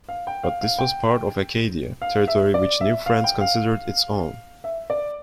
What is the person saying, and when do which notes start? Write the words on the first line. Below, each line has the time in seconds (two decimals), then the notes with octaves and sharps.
But this was part of Acadia, territory which New France considered its own.
0.09 F5
0.27 G5
0.43 F5
0.61 F5
0.79 G5
2.02 F5
2.28 E5
2.54 D5
2.81 E5
3.06 F5
3.24 G5
3.41 F5
4.64 E5
4.90 D5